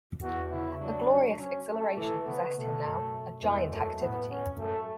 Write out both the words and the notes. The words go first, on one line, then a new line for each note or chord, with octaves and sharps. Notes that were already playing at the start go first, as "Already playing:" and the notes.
A glorious exhilaration possessed him now, a giant activity.
E2 F#4
C#3 E4
F#3 D4
F#3
C#4
A3
E3 A3
C#3 B3
B2 A3
F#2
E2 G#3
F#2 A3
A2 B3
C#4
F#2 A3